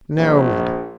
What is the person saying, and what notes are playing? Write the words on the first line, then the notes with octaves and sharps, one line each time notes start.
"No, madam."
A#1